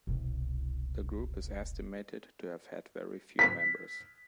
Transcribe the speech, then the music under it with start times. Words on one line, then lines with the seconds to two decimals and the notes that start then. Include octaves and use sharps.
The group is estimated to have had very few members.
0.07 E1 C2
3.39 B6